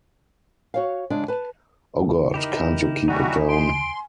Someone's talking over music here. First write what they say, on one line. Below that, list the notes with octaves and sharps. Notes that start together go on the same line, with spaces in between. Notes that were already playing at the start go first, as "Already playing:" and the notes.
Oh God, can't you keep it down?...
F#4 C#5 F5
C#3 G#3 D4
B4 A5
D#4 E4 G4 A#4
G3 D#4 E4 F#4 G#5
C6 D7